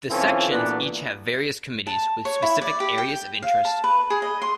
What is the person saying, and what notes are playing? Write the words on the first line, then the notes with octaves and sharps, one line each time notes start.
The Sections each have various committees with specific areas of interest.
B1 E3 C4 C#4 F4 A4
A#2 E3 A#3 B3 D4 F#4
A5
C#5
E4
D5
G4
G5
F5
A5
B4
G#4
D#5
C6